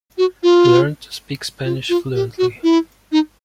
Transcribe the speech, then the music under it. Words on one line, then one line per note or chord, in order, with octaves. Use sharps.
He learned to speak Spanish fluently.
F#4
F4
F4
F4
G4
F#4
E4
D#4